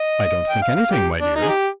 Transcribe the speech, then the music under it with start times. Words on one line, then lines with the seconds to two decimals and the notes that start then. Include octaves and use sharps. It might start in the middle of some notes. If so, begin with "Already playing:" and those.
"I don't think anything, my dear."
Already playing: D#5
0.50 G5
0.62 F5
0.76 F5
0.92 G4
1.21 D4
1.35 D#4
1.42 G#4
1.49 G4